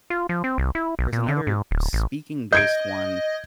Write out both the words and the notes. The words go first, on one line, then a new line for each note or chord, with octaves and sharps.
There's another speaking-based one,
F4
F3
C4
C2
E4
B1
A#2
D3
G#2
D1
A1
D#5 G6 G#6 D7